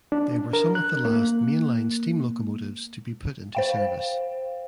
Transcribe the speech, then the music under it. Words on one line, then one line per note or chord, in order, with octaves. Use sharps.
They were some of the last mainline steam locomotives to be put into service.
D4
A#4
F#6
A#3
C5 F5 G5